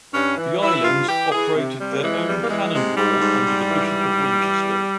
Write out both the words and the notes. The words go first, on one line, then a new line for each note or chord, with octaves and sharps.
The Islands operated their own Canon Law under the Bishop of Winchester.
G2 C#4
E3
E3 E4
G2 F4
E3 G4
E3 G#4
C3
C3 G3
A#3
E3 G#3
E2 G3
A#3
E3 G#3
C3 G#3
G#2 G3
G#2
G#2
E3
G#2
E3
E3
E2